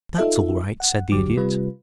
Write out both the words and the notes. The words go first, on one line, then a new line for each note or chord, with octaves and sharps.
"That's all right," said the Idiot.
D#4 F4 A4 E5
F#5
G1 D#2 D3 F#3 G4 D6
C3 G3 F4 B4